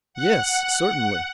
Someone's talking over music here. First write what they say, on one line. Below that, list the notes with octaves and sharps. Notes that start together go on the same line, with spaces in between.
Yes, certainly.
F#5